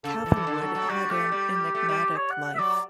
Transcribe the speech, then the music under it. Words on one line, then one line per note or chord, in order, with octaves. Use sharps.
Catherwood had an enigmatic life.
C#3 A4
E3
E3
D3
F#3
F#3
G3 F#4
A3 G4
G3
A3
G3
C#5
F#5
F#5
E5
F#3 D5